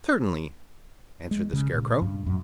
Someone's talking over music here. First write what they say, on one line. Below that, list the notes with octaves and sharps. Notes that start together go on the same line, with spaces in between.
"Certainly," answered the Scarecrow.
G#3
C#3
A#2
G2
F#2